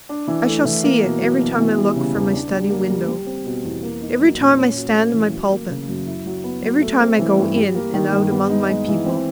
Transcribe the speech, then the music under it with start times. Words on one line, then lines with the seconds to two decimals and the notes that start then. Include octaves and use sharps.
I shall see it every time I look from my study window--every time I stand in my pulpit--every time I go in and out among my people.
0.09 D4
0.27 E3
0.46 A3
0.65 E3
0.84 A#3
1.02 B2
1.20 F#3
1.40 B2
1.58 E3
1.77 G3
1.96 C#3
2.15 E2
2.33 D4
2.52 G3
2.70 A#3
2.90 G3
3.08 G3
3.26 C4
3.45 B2
3.64 E2
3.83 A#3
4.01 D#4
4.21 F#3
4.39 A#2
4.57 C#4
4.76 F#4
4.95 A3
5.13 E3
5.32 F#3
5.51 A#3
5.69 C#3
5.89 F#2
6.07 E4
6.26 F#3
6.44 B3
6.63 F#3
6.81 A3
7.00 C4
7.19 E3
7.38 G2
7.56 G3
7.75 A#3
7.94 D#3
8.13 G2
8.31 B3
8.50 D#4
8.69 G#3
8.88 E3
9.06 C4